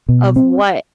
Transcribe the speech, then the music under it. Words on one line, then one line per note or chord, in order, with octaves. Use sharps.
of what
B2
C4